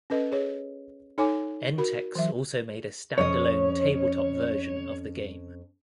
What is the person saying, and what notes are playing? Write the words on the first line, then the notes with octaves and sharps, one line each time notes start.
Entex also made a standalone tabletop version of the game.
C#4 A4 B4 D#5
G#4 C#5
D#4 A4 C#5 G#5 D6
F#4 A#4 B5
E3 F#3 E5
F2 C#4 C#5 D#5